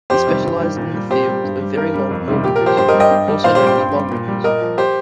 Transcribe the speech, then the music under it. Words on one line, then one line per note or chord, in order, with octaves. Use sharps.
He specialized in the field of very long moremovers, also known as longmovers.
F2 G4 C5
C3 D#3 G3
G2
D#3 G3
A#2
G3
A#2 G4 C5
G3
G2
G3
G2 A#4
G3
F2
C3 D#3 G3
A#2 G4
A#4
F3
G4 C5
G2 G4 C5
A#4 D#5
G3
D#5 G5
G2
G3
A#2 C5 F5
G4 C5
G3
G5 C6
G2
G3
A#2
G3
A#2 A#4 D#5
F3
G4 C5